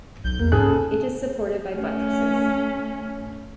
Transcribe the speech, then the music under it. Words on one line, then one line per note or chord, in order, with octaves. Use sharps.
It is supported by buttresses.
B1 G6
E2 A#3
G#2 C#3 G#4 A4 F#6
A3 C#4